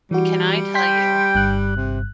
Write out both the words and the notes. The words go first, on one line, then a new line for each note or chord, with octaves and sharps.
can I tell you?
E3 G3 F#4
G5 C6 G6 B6
G1 G2 F#6
C3